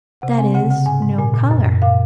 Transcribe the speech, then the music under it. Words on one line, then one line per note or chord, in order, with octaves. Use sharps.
That is, no colour.
C3 F#5
C4 G#5
C#3 F#5
C#3 F#5
G#2 G#5
G#2
A#2 G#5
A#2
F#2
F#2
A#2 F5